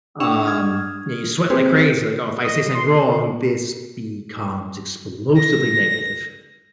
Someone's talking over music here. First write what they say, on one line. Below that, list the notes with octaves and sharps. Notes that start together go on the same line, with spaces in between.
Um, you know, you're sweating like crazy, like, "Oh, if I say something wrong, this becomes explosively negative."
D4 F#5 C#6 E6 E7 F7
D#6 F6 G#6
A#3 C4 G4 G#4 B4 C5
D#5
C6
A#6